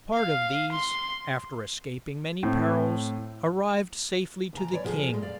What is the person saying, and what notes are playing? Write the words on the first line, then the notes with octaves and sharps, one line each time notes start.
Part of these, after escaping many perils, arrived safely to the king.
F5
C6
A2 C4
D#2 C#3 A#5
E3 C#5 D5
F#2 C3 F3 F4 G#4 A4
A#2 G#3
D5 F5